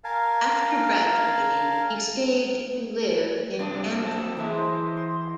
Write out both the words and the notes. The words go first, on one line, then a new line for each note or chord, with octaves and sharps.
After graduating, he stayed to live in Antwerp.
A#4 F5 G#5 A5
G2 C3 D4 D5 D#5
F#3 C4 A4
E3 G#3 E4 D#5 A#5
C5
C6